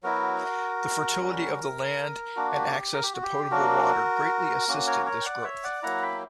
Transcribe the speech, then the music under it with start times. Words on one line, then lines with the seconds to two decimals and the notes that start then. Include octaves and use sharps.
The fertility of the land and access to potable water greatly assisted this growth.
0.03 F#3 B3 E4 F#4 A#4
1.20 G3 C#4 F#4
2.36 A#3 D4 F#4
2.55 G4
2.74 G4
2.93 A#4
3.03 G4
3.14 F#4
3.23 G4
3.51 F#3 A#3 D4 F#4 A#4
4.68 A#3 C#4 F#4
4.86 A#4 C#5
5.05 A#4 C#5
5.21 G5
5.25 D5 F#5
5.44 C#5 E5
5.64 D5 F#5
5.83 F#3 A#3 E4 F#5 A#5
6.02 G5 B5